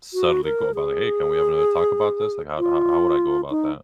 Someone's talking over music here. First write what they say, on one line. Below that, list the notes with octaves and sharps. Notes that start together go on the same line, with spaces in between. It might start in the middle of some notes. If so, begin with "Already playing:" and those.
suddenly go about it? Like, "Hey. Can we have another talk about this?" Like, how how how would I go about that?
F#4
A#4
G#4
F4
D#4